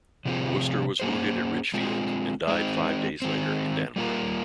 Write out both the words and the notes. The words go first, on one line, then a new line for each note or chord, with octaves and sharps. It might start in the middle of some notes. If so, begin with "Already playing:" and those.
Wooster was wounded at Ridgefield and died five days later in Danbury.
C3 F3 C4 F4 G#4
A#3 C#4 G#4 C5
G#3 C4 F4
G#3 C4 D#4
D#3 G#3 C4
G3 A#3 F4 A#4